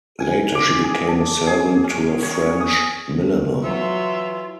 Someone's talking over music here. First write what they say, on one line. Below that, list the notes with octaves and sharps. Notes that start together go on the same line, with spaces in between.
Later she became a servant to a French milliner.
G#5
D6
G#4
A5
G#4
C#4
C#5
C#5
D#6
E3 F#3 F4 E5